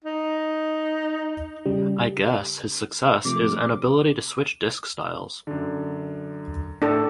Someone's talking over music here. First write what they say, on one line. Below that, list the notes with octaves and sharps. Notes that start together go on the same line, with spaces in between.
I guess his success is an ability to switch disc styles.
D#4
C#3 G3
C3 F3 A3 D6
F#2 D3
A2 D4 A4